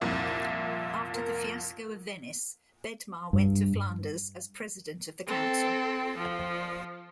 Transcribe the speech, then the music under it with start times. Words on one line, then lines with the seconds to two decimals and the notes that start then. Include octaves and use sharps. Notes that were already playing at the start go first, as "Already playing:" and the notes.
After the fiasco of Venice, Bedmar went to Flanders as president of the council.
0.01 C2 F2 A#2 E5
1.14 A#4
3.33 G2
5.27 C4 A4
6.18 F3